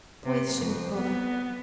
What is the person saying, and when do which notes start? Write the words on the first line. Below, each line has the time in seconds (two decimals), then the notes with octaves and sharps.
Boys shouldn't bother.'
0.25 C3
0.56 F2
0.96 B3